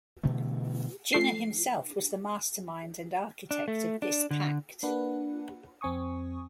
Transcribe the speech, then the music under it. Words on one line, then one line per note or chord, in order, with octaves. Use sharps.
Jinnah himself was the mastermind and architect of this pact.
B2 D3 E3 A3
F3 A3 C7
D4
A3
D4
D3
A#3 D4 B4 F#5
F2 C4 G#5 C#6 D#6